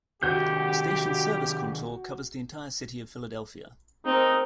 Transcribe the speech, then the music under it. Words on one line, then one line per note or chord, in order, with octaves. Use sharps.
The station's service contour covers the entire city of Philadelphia.
C3 D#3 F#4 G4 G6
C4 D#4 A#4